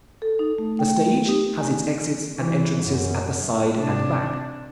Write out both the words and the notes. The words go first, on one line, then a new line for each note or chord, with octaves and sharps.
The stage has its exits and entrances at the side and back.
A4
D#4
A3
G5
D#4 G4
G#5
E3
F#2
C3 D4